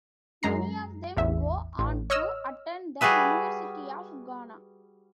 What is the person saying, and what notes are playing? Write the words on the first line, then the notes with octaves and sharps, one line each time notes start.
Many of them go on to attend the University of Ghana.
F#2 G#3 A#5 C7
A1 E2 E5
A1
C#5 D#5 E6 F6
G3 F#4 G#4 B4 E5